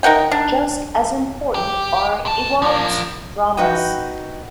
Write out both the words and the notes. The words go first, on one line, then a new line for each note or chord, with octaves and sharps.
Just as important are Ewald's "dramas".
D#4 A#4 F#5 G5
D4
G4
A#2 A5
F3 A#3
D#4 F#4 B4 G5